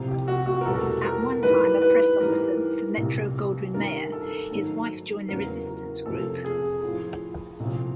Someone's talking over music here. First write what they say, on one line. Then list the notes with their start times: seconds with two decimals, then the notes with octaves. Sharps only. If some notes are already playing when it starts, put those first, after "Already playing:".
At one time a press officer for Metro-Goldwyn-Mayer, his wife joined the resistance group.
Already playing: C2 C3 F3
0.08 G4
0.28 F#4
0.46 F#4
0.61 A#4
0.66 E2 B2 G3 A4
1.05 A#4
1.43 G#2 E3 G3 B4
1.82 B4
2.20 G#2 E3 G3 A#4
2.97 C2 A#2 G3
3.74 G2 D#3 G3 A#4
4.12 A4
4.51 G#2 D#3 F#3
5.28 E2 C#3 F#3 A#4
5.66 A#4
6.06 F2 C3 F3 A4
6.44 G#4
6.83 A2 F3
7.60 C2 A#2 F3